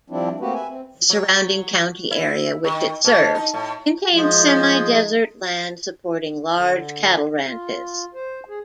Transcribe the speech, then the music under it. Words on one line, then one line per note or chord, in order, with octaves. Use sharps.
The surrounding county area which it serves contains semi-desert land supporting large cattle ranches.
F3 G3 C4 D4 E4
A3 A#3 C4 F#4 G4 B4
B4 E5 G#5
C4
F#3
E4
D#3
B2
D#4
A2
F3 G#3 D#4
D3
F4
C5
G#4